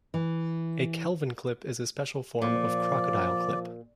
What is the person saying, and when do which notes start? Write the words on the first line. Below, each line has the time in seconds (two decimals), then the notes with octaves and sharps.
A Kelvin clip is a special form of crocodile clip.
0.14 E3
2.42 A#2 F3 D5